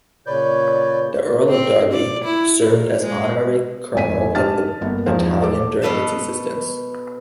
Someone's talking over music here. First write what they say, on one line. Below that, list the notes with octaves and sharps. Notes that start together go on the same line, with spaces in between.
The Earl of Derby served as honorary colonel of the battalion during its existence.
A#2 C#3 B4 C#5 D5 G6
C4
D5
E4
A#2
G#3
G#1 F2 D#3 G#5 B6 D#7
G#2 D4 G4 A5 F6 A6
G1 A#3 B3
E2 G#2 F3 C4 C5 F5
A4 D6
B2 B3 A4 B4 F5 A5